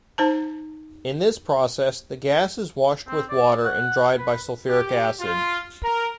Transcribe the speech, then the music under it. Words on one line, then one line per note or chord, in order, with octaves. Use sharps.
In this process, the gas is washed with water, and dried by sulphuric acid.
D#4 C5 A5
C4
D5
F#5
B4
G4
F4
A#4